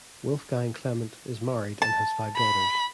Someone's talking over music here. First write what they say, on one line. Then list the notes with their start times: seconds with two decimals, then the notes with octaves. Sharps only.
Wolfgang Clement is married and has five daughters.
1.82 A5
2.36 B5